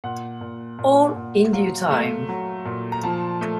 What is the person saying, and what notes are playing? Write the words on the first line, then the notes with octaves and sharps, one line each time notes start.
All in due time.
A#2 F#5
A#2
A#2
A#2
F#3 F5
A3
F#3
A#2
A#5
F3 A5
A3